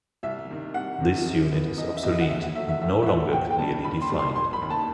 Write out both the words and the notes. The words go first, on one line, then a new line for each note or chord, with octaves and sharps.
This unit is obsolete and no longer clearly defined.
C2 E5
C3 D#3
C2 F#5
C3 D#3
F#2
E3 B3
F#2 D#5
E5
E3 B3 D#5
F#5
D#2 E5
F#5
D#3 F#3 A3 E5
E5
D#2 E5
E5
D#3 F#3 A3 F#5
D#2 G5
G5
D#3 G3 A5
D#2 B5
C6
D#3 G3
C6
E1 C6
B5
D#2 D#3
A5